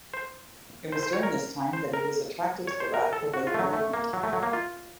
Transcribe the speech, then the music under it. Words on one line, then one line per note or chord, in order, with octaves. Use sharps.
It was during this time that he was attracted to the radical labor movement.
C5
C5
C5
C#5
A#4
C5
A#4
C#5
C5
A#4
A4
F#4
F4
A3
F#3
A3
A#3
F#3
A3
F#3
A#3
F4